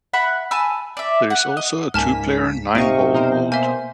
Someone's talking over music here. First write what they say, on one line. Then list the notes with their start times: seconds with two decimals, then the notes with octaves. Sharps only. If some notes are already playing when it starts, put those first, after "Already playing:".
There is also a two-player nine-ball mode.
0.13 E5 F#5 B5 F#6
0.51 G#5 A5 B5 E6
0.97 D5 E5
1.30 F#5
1.57 D#5
1.94 C#2 G#2 A#3 G#5 A5 F6 B6
2.75 A2 C3 D#4 D#5 F5 C#6 D7
3.14 B2 D#4 A#4 C5
3.52 A#3 C5 E5 G#5